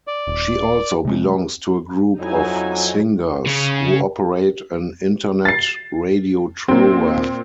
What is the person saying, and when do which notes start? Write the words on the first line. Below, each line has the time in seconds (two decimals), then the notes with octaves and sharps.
She also belongs to a group of singers who operate an Internet radiotrova.
0.07 D5
0.27 D#1
1.05 C3 G#3
2.19 F2 F#3 D#4 E4 G#5
3.47 C#3 C#4
5.45 A6 C7
6.68 A#2 C4